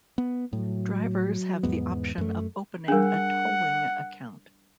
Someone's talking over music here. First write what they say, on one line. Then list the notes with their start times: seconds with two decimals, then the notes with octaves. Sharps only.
Drivers have the option of opening a tolling account.
0.18 B3
0.53 A2 F#3
1.63 E2 G#2 B3
2.18 F#2 A3
2.88 G3 D4 G#4 A#4 F#5